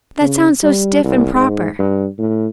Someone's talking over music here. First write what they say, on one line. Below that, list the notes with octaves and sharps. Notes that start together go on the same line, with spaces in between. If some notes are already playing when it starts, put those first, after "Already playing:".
That sounds so stiff and proper.
C#3
G3
C2
G#2
G2
A2